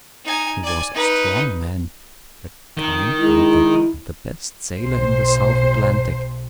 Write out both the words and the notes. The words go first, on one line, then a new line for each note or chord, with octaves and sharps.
He was a strong man, a kind uncle and the best sailor in the South Atlantic.
D#4 G#5
D5 G#5
D#4 B4
D#3
G#3 E4
B1 C5